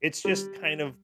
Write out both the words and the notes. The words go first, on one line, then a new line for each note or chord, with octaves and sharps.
it's just kind of
G3